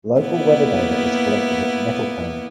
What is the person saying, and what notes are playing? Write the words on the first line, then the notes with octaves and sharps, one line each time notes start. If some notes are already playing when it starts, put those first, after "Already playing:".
Local weather data is collected at Nettlecombe.
A#3 B3 E4